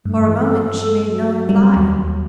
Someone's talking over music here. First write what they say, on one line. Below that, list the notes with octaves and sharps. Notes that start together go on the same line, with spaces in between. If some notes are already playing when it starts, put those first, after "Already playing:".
For a moment she made no reply.
G2 A3
E3
A4
F#3
G3
D#2